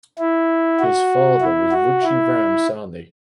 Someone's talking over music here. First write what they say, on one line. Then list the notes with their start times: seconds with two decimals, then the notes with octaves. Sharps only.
His father was Ruchi Ram Sahni.
0.19 E4
0.80 F#4
1.41 E4
1.72 F#4
2.03 E4